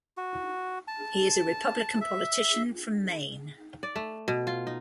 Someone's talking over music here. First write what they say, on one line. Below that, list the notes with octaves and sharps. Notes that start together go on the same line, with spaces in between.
He is a Republican politician from Maine.
F#4
A5
E5
D5
A3
B2
F4
D#4